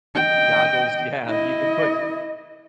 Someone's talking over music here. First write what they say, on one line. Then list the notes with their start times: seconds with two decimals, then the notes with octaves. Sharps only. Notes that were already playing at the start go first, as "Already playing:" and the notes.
goggles Yeah you could put
0.15 D#5 G5
1.27 E4 D#5